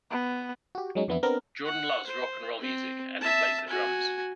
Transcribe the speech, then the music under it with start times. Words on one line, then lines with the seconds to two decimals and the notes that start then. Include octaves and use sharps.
Jordan loves rock and roll music, and he plays the drums.
0.11 B3
0.75 F#4 G4
0.95 F#3 G#3 C#4 D#4
1.08 F2 E3 B3 D4 E4
1.23 B3 C4 D4 A#4
1.65 F#5
2.07 C5
2.61 C4
3.21 E5 A5
3.68 F#4 G#5